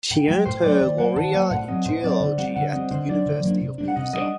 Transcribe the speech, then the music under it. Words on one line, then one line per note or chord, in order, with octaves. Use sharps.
She earned her laurea in geology at the University of Pisa.
A2 G5
F#3 A3 G5
A2 C5
F#3 A3 D5
D#3
F#3 A#3 F#5
D#3 A5
F#3 A#3 F#5
A2 F#5
F#3 C4 D#5
A2 C5
F#3 C4 D5
D3
G3 C4 F#5
D3 F#5
G3 C4 D#5
D3 C5
F#3 A#3 D4 D5
D3
F#3 A#3 D4
C3
G3 A#3 D4
F#5
C3 D#5
G3 A#3 D4 D#5